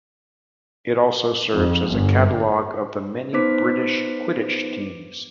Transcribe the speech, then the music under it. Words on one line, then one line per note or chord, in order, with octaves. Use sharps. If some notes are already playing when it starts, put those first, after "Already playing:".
It also serves as a catalogue of the many British Quidditch teams.
F2
G1
B3 D#4 B4 C5 D6 B6